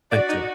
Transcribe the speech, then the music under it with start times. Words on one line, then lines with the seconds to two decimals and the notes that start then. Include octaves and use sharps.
I see.
0.12 F#4 D5
0.29 D#4